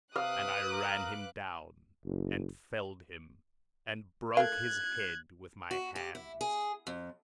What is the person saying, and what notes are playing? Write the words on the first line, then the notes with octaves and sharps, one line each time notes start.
And I ran him down, and felled him, and broke his head with my hands.
C3 B4 F5 D6 D#6 F#6
A#4
F#1
A3 A#4 F5 F#6 G#6
F#4
G4
E4
G#4
F2